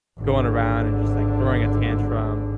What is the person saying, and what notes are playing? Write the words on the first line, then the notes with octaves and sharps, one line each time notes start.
going around and just, like, throwing a tantrum,
G#1 D3